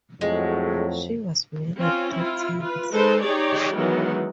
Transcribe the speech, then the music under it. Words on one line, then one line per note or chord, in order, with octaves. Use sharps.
She was married three times.
F2 A2 F#3 G#3
C4 C#4 F4
E4 F4
F4 B4
G#3 D#4 A4 B4 C5
D#4 G4 G#4 C#5 D5
D#3 E3 F#3 G#3 B3